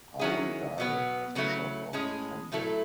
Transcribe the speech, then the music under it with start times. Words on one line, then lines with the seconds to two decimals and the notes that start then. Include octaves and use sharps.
Raul Dael as Bishop of Tandag.
0.19 D#3 F#3 C#4 E4 G#4
0.78 B2 F#3 B3
1.35 C#3 F#3 A3 E4
1.93 A2 G#3 C#4 G#4
2.52 A2 F#3 A3 E4 A4